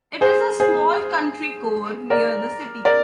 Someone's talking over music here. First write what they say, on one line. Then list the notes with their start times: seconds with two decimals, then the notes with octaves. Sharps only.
It is a small country core near the city.
0.21 G#4 C5
0.60 G#4 C5
2.10 A#4 D5
2.85 A#4 D5